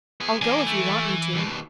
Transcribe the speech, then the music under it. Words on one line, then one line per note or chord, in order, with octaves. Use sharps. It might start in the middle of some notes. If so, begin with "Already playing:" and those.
"I'll go if you want me to."
B3 G#4
E3 A#3 D4 G#5
A3
D#2 B2